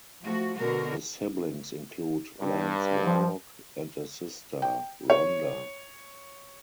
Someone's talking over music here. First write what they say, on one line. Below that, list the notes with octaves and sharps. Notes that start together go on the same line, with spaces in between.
His siblings include Lance Warlock and a sister, Rhonda.
F3 A3 F#4
B2 D3 F#4 A#4
G2
F3
G5
C#5